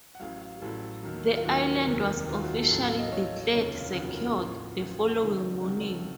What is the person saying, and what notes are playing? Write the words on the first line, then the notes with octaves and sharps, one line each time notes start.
The island was officially declared "secured" the following morning.
F#5
A1 A2 F#3 F5
F5
A1 A2 F#3 A4
D#2 D#3 F#3
F4
D#2 D#3 F#3 F#4
F1 D#2 D#3 F#3
F1 D#2 D#3 F#3 F4
F#4
A4
A1 A2 F#3 A4
F5
D#5
A1 A2 F#3 C#5
D#5
F1 D#2 C#3 F3 C#5
F4
F1 D#2 C#3 F3 F#4
A#4
A1 A2 F3 F4
F#4
A1 A2 F3
C#2 C3 D#3 F#3
C#2 C3 D#3 F#3 F#4
A4